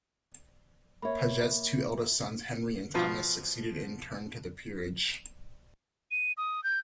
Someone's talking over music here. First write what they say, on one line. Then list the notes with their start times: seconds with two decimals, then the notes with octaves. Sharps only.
Paget's two eldest sons, Henry and Thomas, succeeded in turn to the peerage.
1.02 A#3 C#5 E5 B5
2.94 B2 F3
6.11 D#7
6.37 D#6
6.64 G6